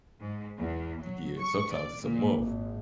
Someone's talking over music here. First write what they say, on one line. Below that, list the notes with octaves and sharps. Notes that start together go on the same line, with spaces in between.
Yeah, sometimes it's a month.
G#2
E2
F#3
C#6
D5
A#2
G#1